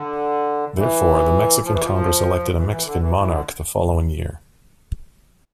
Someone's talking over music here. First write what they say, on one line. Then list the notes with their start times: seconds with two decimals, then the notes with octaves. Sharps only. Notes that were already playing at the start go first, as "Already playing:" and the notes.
Therefore, the Mexican Congress elected a Mexican monarch the following year.
Already playing: D3
0.75 E3
1.64 F3
1.72 E3
1.82 F3
2.54 E3
2.69 E3
2.84 D3
3.00 E3
3.15 E3
3.29 D3